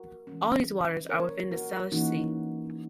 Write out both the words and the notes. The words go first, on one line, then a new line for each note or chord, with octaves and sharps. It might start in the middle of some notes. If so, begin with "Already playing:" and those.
All these waters are within the Salish Sea.
Already playing: F#4 A#4
E3 G#3 C#4
A#4 C#5
F#4 A#4
E3 A#3 C#4 D#4 F#4